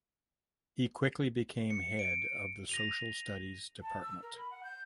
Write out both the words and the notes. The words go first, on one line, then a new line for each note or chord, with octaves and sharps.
He quickly became head of the social studies department.
C#7
D7
A#6 D#7 F7
A5
E6
A#4
B5
F#5
G6